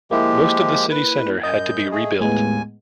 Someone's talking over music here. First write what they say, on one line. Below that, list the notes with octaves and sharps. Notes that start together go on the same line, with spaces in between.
Most of the city centre had to be rebuilt.
F3 G#3 A#3 E4 G4
B4
F#2 D#5 G6
A3 G#4
D#2 A2 G#3 B3 G#5